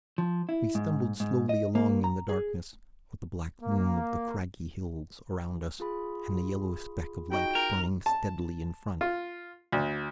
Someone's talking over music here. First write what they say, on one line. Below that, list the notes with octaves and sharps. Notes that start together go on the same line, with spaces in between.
We stumbled slowly along in the darkness, with the black loom of the craggy hills around us, and the yellow speck of light burning steadily in front.
F3
E4
G#2
G#2
D#5
A#3
A#5
G#4
A#3
F4 G#4 B5
D#4 F#4 D#5 G5
A#4
A5
F4
D2